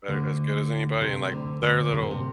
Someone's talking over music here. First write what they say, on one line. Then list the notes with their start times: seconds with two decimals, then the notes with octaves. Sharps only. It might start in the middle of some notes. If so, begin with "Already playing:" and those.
better as good as anybody, and, like, their little
0.08 D2 D3
1.01 C3
1.32 D2 D3
1.62 D2 D3
1.93 C3
2.02 A#2
2.11 C3